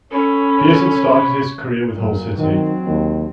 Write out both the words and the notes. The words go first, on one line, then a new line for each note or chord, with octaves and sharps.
Pearson started his career with Hull City.
C#4 A4 C#5 B5
F#1 A#2
D#3 F#3 C4
D#2